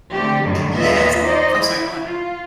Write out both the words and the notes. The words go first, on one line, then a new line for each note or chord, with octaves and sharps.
Yes Oh, sorry. Go on.
D3 A3 C4 G4
F#2 A2 D3 D#3 F#3 G3
D#2 A#2 B3 F4 D#5 E5
D#4 C5 D5 D#5
E4
F4